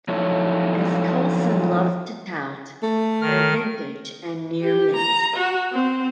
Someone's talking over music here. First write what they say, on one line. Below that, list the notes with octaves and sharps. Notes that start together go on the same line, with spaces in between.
As Coulson loved to tout They're vintage and near mint.
F3 F#3 D#4 E4 A4 C#5
A3
D#3 F6
G4
A#5
F#4
C4